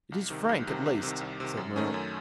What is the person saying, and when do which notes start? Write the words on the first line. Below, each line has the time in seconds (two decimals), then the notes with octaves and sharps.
"It is frank, at least," said Morrel.
0.12 C2
0.30 C3 D#3
0.49 C2
0.67 C3 D#3
0.86 C2
1.03 C3 D#3
1.21 C2
1.40 C3 D#3
1.57 F#2
1.76 D#3 A3 C#4
1.94 F#2